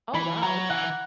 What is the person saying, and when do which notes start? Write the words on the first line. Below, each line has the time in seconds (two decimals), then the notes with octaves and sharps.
Oh, wow, okay.
0.14 E3 B5
0.42 F#3 A#5
0.69 E3 F#5